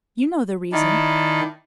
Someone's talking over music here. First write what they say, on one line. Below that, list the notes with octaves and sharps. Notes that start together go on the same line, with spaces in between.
You know the reason.
D#3 E4 D5 A5